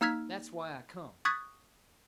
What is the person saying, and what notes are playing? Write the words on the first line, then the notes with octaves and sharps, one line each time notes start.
That's why I come.
A#3 D#4 E6 F6 G#6 B6
C#6 D#6 F#6 G#6 A6 B6